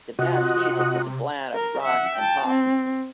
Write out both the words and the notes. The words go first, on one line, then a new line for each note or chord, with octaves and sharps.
The band's music was a blend of rock and pop.
C3 F4 F#4 D#5 F#5
A#4
E5 F#5
G5 A5
C4